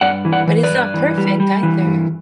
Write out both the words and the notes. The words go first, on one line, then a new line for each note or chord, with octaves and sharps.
but it's not perfect either.
G2 D5 F#5
E3
D5 F#5
E3
B4 D5
G2
E3
G3
G3
E3
G2